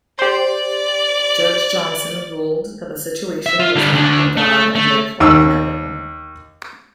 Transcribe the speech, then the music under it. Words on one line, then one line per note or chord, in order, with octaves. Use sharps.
Judge Johnson ruled that the situation was an act of God, and therefore inevitable.
G4 C5 D5
E5
F4
D3 G3
D2 D4
A3
A3
D#2 E6